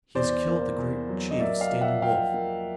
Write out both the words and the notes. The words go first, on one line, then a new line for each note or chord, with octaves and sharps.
He has killed the great chief Standing Wolf.
E2 C5 D5
A#3
E2
F#3
D#5
A#3 D5 E5
D#5 F5
F3
E5 F#5
A#3 F5 G5
A#3